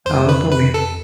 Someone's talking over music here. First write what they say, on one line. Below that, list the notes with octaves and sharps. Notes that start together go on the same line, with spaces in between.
Oh boy.
F2 C5
B4
B4
A4